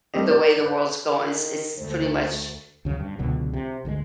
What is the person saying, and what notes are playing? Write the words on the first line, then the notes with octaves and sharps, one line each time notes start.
eh, the way the world's going, it's it's pretty much
G3 A3 C4 G4 D#5
D5 G6
B4
D#3
D2 A3 C5
D2 C#3 F3 F#3
G2
C#2 B2 D3 F#3
C3
G1 D2 C#3 G#3